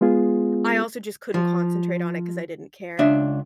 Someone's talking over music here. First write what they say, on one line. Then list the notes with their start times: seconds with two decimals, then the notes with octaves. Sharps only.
I also just couldn't concentrate on it 'cause I didn't care.
0.01 G#3 B3 F4 G#4
1.34 F3
2.99 C#2 D4 E5